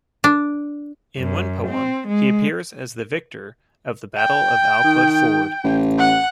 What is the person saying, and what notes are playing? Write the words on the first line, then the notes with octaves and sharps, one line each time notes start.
In one poem, he appears as the victor of the Battle of Alclud Ford.
D4
F#2
C4
G#3
G5
D#3
A1
F#5